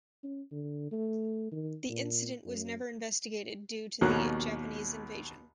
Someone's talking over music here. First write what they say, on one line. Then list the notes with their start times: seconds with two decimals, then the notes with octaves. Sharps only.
The incident was never investigated due to the Japanese invasion.
0.24 C#4
0.52 D3
0.92 A3
1.52 D#3
1.89 A#2
2.46 F#2
4.01 A#1 D#2 B2 A#4 C#5 F#6